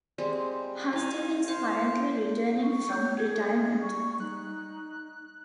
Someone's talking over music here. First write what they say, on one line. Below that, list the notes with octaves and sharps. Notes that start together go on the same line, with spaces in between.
Hutsell is currently returning from retirement.
G3 G#3 C4 D5
D#4 E4 F5 G#5
C5 F5 C#6
C#6
C#5 G6
G#4 G#6
G3 C#6
D#4 F#6